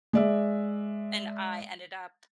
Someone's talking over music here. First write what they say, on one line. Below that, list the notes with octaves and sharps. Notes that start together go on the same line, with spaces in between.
and I ended up
G#3 D5 E5